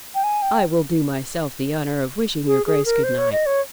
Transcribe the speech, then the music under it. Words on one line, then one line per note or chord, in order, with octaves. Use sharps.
I will do myself the honour of wishing your Grace good-night.
G5
G#5
G5
G#4
G#4
A#4
C5
C#5
D#5
C#5